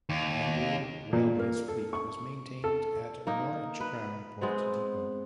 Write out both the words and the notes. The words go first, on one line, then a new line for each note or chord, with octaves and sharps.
Anglia Railway's fleet was maintained at Norwich Crown Point depot.
D#2
A#2
A#3
A4
C#6
A4
A#3 D#4
B4
G#3 B3 C4